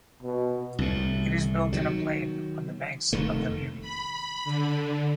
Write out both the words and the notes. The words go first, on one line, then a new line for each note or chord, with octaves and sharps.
It is built in a plain on the banks of the Liri.
B2
C2 A2
D#3 F#3
F1 D#3 A3
B5
D3